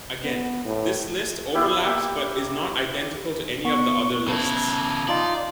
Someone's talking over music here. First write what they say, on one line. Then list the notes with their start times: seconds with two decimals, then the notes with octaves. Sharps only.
Again, this list overlaps but is not identical to any of the other lists.
0.24 B3
0.65 A2
1.54 B3 E4 G4 F5
1.84 A#3 G4 E5
3.65 B3 C#6
4.28 C#3 E4 A5
5.08 D#4 F4 D5